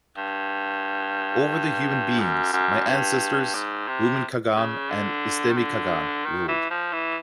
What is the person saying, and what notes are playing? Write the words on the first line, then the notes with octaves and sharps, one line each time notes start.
Over the human beings, my ancestors Bumin Kagan and Istemi Kagan ruled.
G2
F#2
F#2
G2
G#2
C3
C#3
D3
D#3
D3
D#3
E3
F3
E3